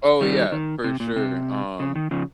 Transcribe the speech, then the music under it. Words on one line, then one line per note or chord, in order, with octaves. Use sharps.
Oh, yeah, for sure, um,
D#3 G3
D#3
C3
A#2
C3
C#3
D#3
C#3 F3